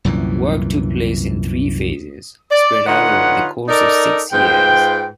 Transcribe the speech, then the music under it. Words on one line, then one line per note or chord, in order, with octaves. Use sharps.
Work took place in three phases spread out over the course of six years.
C2 F#2 A#2 E3
D5
D3 D#4 F4 B4 C#5 F#5
D#4 A4 A#4 D5
G#2 F4 B4 G5